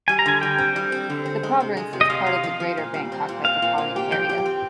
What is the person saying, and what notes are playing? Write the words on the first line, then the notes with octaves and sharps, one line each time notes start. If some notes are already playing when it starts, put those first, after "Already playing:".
The province is part of the greater Bangkok Metropolitan Area.
G3 G#5
A#5
D3 G#5
G3 G5
C4
G3
C4
D3
C4
G#3
C3
G#3
C3
D#5
C3 F5
C3
F3
F3
A#2
G3
C4
A#2
C4 F5
A#2
A#2
G4
F3 G5
G4
C4